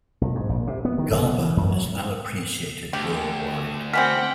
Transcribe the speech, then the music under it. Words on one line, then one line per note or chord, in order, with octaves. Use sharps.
Garba is now appreciated worldwide.
B1
G#2
A#1
C3
B3
D#3
F#1
B3
E3
F#2
F#3
D2 G4
B2 E3 C4 F#5 G5 F6 B6